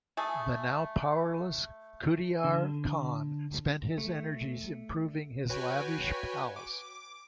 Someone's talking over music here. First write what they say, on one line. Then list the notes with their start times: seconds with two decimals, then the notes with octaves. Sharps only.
The now powerless Khudayar Khan spent his energies improving his lavish palace.
0.17 A3 G#4
2.44 D3
3.98 A3
5.49 F#4 B4 C#5 G5 G#5
6.56 D6